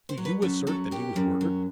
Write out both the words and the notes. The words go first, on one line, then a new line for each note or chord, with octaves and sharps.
"Do you assert that he was murdered?"
C5
F#3
B4
F#2 A4
F#3 A4
F#2 G4
F#2
F#3